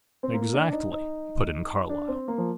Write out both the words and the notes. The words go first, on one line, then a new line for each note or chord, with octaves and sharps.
"Exactly," put in Carlyle.
C4
A#3
D4
D#4
D#4
D4
C4
A#3
F3